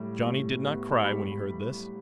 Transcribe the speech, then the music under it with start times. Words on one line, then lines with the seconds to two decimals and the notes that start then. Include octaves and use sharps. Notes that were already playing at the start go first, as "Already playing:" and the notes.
Johnny did not cry when he heard this.
Already playing: A2 G3
0.24 A2
0.64 B3
1.05 G3 B5